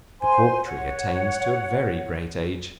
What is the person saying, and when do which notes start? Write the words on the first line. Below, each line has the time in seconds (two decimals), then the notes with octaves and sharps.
The Cork Tree attains to a very great age.
0.21 C5 G#5 C6
0.67 C#5 F#5